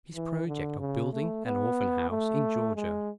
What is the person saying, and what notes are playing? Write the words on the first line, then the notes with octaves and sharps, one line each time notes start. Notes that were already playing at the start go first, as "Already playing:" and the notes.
His Project of building an Orphan House in Georgia.
E3
D3
C#3
A3
B3
A3
G#3